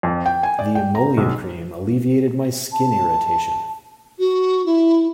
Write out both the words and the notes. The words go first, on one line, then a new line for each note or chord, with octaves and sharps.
The emollient cream alleviated my skin irritation.
F2
G5
G#5
D5
G5
A#5
B1
A5
F#4
E4